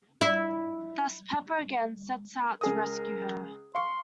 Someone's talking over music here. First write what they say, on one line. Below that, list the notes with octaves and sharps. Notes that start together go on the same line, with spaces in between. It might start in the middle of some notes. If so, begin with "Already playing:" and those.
Thus, Pepper again sets out to rescue her...
E4
C#2 G#4 A#4 D#6
F5 C6 C#6